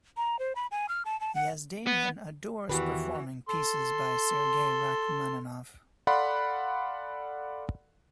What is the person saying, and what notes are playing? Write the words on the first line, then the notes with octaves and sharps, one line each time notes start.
Yazdanian adores performing pieces by Sergei Rachmaninov.
A#5
C5
B5
G#5
F6
A5
A5
F#5
B3
E2 D#3 E3 F#4 G4 B4
A4 C6
A4 D5 F5 F#5 B5 C6